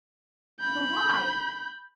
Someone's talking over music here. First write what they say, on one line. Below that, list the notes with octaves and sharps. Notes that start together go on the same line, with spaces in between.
"But why?"
B5 G6